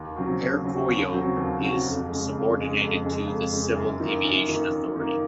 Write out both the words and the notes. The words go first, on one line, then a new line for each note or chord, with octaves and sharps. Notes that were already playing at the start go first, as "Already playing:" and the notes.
Air Koryo is subordinated to the Civil Aviation Authority.
Already playing: D#2
C#3 F#3 C4 F#4
D#2
C#3 F#3 C4 F#4
D#2
C#3 F#3 C4 F#4
D#2
C#3 F#3 C4 F#4
F2
C#3 G#3
F2
C#3 G#3
F2
C#3 G#3
F2
C#3 G#3
F#2
D#3 A#3
F#2
D#3 A#3
F#2
D#3 A#3